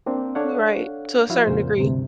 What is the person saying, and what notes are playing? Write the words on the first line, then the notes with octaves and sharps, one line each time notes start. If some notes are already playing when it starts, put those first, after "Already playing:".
you right. To a certain degree.
A#3 C4 D4
D4 A4 C#5 F5 F#5
F3 E4 F#4 F5
F2 A#2 C#3 C5
D2 G2 C3 E3